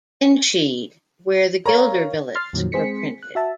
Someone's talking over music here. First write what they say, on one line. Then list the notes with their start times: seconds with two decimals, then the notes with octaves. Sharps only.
Enschede where the guilder billets were printed.
1.66 A#4 C#5 F5 A#5
2.35 C6 F6 A6 C7
2.53 F2 A#2 D#3 F3 F#3
2.72 G#3 C4 G#4 C5 B6 C#7
3.23 F#6
3.35 F#4 E5 A5